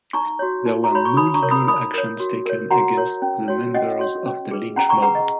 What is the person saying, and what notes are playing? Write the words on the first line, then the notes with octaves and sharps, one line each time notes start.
There were no legal actions taken against the members of the lynch mob.
D#4 A#5 C#6
F#4 C#5
D#4
A#5
F#4 C#5 B5
C#6
D#4 B5 D#6
A#5 C#6
A#4 C#5
B5 D#6
D#4 B5 D#6
A#4 C#5
F#4
A#4 C#5
F#4 F#5 A#5
A#4 C#5
C#4
F#4 C#5
C#4 D#5 F#5
F#4 C#5
C#4
G#4 B4
C#4 F#5 A#5
A#5 C#6
G#4 B4 F#5 A#5
D#5